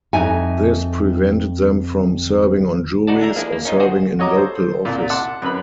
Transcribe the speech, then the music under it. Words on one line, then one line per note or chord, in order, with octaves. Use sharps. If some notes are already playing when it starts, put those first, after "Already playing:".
This prevented them from serving on juries or serving in local office.
F2 D#4 E5 G#5
D#4 F#4 D5 A5
G#3 D4 E5 A#5
F3 A#3 D4 E4 G#4
A#3
C#4 D#4 F4 D#5
F#4 G#4 C5
F#4 C#5 D#5 A#5 D6
A4 C5
C2 A#2
F#5 A5 C6 D6
F#2 C#4 B4 B5